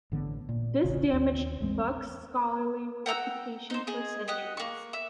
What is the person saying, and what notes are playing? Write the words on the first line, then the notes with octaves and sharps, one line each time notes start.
This damaged Buck's scholarly reputation for centuries.
A1 D3 A3 B3
A#2
E1 A1 C#3
D#2
A1 E2 G#3 C4
F#5 G5 A#5 E6
D#4 C5
G#4 D#5
G4 D#5 F#5
A#3 C#6
E5 E6